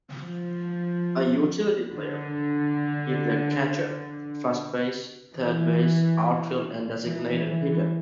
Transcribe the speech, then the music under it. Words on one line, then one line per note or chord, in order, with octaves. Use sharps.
A utility player, he played catcher, first base, third base, outfield and designated hitter.
F3
D3
E3
E3
E3